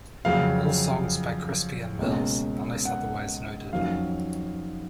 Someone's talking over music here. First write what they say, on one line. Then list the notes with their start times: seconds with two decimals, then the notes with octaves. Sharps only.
All songs by Crispian Mills, unless otherwise noted.
0.25 F2 C#3 F#3 F5
1.99 C#2 B2 A#3 C#4
2.85 F#5
3.73 F2 D#3 F#3 C#4 F5